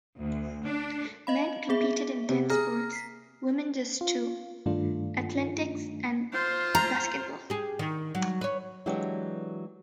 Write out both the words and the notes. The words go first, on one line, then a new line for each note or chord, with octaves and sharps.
Men competed in ten sports, women just two; athletics and basketball.
D2
D4
D#5 F5 B5
B3 G#4 E5
C3
G#4 A#5 F6 A#6
B6 C7
F4
G2 D#3 A3 D4 F4
F4 C5
A#5
G4 G#4
D#3
F#3
B4 C#5
E3 F#3 G#3 D4 F#4 G4